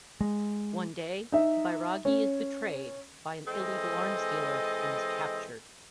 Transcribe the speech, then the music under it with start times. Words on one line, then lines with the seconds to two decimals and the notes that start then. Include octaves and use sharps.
One day, Bairagi is betrayed by an illegal arms dealer and is captured.
0.21 G#3
1.32 D#4 E5
2.05 C#4
3.47 E3 G#3 C4 A4 D#5